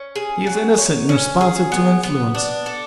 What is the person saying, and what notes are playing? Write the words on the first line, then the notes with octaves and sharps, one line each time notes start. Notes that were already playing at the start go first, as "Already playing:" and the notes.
He is innocent and responsive to influence.
Already playing: C#4
G#4
F#3
C#5
C#4
G#4
B3
B3
D4
A4